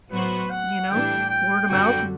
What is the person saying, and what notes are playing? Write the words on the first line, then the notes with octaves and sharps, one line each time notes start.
you know, word-of-mouth.
A2 F#3 B3 F#4 B4 C5
F#5
A2 E3 G3 D4 G5
G5
F#2 D3 G3 C4 F#4 G5